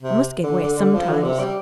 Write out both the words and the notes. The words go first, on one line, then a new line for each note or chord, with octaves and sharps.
I must give way sometimes.
C3
D3
D3
D3
F3
D3
C3
G3